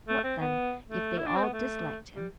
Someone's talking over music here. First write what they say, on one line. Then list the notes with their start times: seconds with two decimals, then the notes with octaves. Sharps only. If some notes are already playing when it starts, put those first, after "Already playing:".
"What, then, if they all disliked him?"
0.09 A3
0.24 C4
0.41 B3
0.88 A3
1.18 E4
1.27 D4
1.36 C4
1.44 B3
1.53 A3
2.16 G3